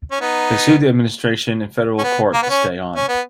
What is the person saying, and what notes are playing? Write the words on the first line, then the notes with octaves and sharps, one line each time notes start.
They sued the administration in federal court to stay on.
C#4
B3 D#4
C#4
B3
A#3
B3
C#4
C#4
B3